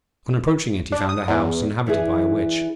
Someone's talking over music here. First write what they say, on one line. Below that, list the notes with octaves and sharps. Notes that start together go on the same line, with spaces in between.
On approaching it, he found a house inhabited by a Witch.
D4
D#6
E2
E3 D4 E4 G#4